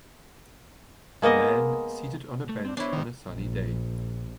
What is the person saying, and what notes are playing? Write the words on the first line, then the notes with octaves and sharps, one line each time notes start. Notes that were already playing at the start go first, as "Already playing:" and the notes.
A man seated on a bench on a sunny day.
G#3 A#3 B3 D#5
A3
C4 D4
B3 D4 E4 C5 C#5
D#3
A#1